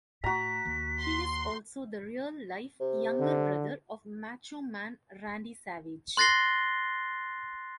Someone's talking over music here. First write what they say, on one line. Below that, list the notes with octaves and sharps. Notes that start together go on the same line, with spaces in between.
He is also the real-life younger brother of "Macho Man" Randy Savage.
A2 F#4 A#5 B6
D#2
C6
C3
D3
C6 F#6 A6 A#6 C7 G7